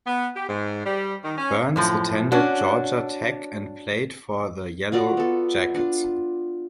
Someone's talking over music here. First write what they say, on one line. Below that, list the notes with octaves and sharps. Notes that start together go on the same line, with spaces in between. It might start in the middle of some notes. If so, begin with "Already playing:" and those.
Burns attended Georgia Tech and played for the Yellow Jackets.
B3
G4
G#2
G3
D#3
C#4
F#2 A2 F3
C#4 D4 F#4
F4 F#4 D5 A#5
B3 A4
D4 F4